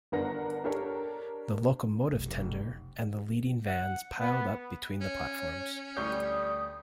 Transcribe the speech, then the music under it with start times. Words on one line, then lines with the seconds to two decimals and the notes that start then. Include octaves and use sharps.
The locomotive tender and the leading vans piled up between the platforms.
0.12 G1 B3 D4 A#4 F#5 A#6
0.64 D4 G4 A4 A#4 C#5
2.12 F1 B1
3.67 F#5
4.20 B3
5.01 C#4 C#5
5.97 D2 G3 C#6 D#6 G6